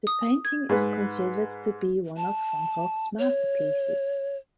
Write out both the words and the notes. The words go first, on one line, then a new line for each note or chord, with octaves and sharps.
The painting is considered to be one of Van Gogh's masterpieces.
D#6
G#6
G#2 B4
A5
C#5